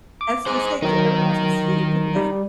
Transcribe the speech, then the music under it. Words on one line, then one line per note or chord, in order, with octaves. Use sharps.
I was gonna say 'cause everyone else could see you, couldn't they?
D6
G#4 C5
D#3 F#3 D#4 A#4
G3